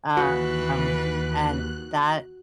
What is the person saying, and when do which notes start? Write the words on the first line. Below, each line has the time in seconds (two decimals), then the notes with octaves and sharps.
Um, and that
0.17 D#2 E3 F#4 B4 F#6